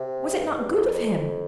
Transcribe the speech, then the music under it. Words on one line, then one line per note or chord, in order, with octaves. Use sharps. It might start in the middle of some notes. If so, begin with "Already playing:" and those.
Was it not good of him?'
Already playing: C3
G2
G#2
G2
G2
F2